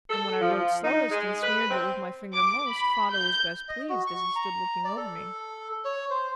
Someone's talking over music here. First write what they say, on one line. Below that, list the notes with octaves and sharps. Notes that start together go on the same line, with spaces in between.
And when I wrote slowest and smeared but with my finger most, father was best pleased, as he stood looking over me.'
A4
F3
D#4
G#3
B4
C4
D6
B5
G6
D#5
F#4
C#6
A#5
D5
A4
C#5
C5